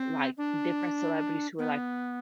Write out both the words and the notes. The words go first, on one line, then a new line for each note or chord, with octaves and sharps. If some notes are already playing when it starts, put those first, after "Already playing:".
like different celebrities who were, like,
Already playing: C4
D4
B3